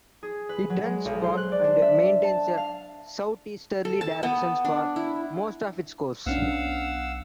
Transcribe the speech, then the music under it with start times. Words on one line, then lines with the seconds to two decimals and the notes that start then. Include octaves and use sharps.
It runs for and maintains a south-easterly direction for most of its course.
0.23 G#4
0.49 B4
0.70 F#3
0.85 G#3
1.05 B1
1.24 C5
1.37 F#6
1.52 D5
1.64 D4
1.82 E5
2.24 A5
2.57 F5
3.85 A4
4.01 A5
4.23 B3
4.65 D4
4.96 E4
6.26 B1 B3 C#4 D4 F5 F#5 E6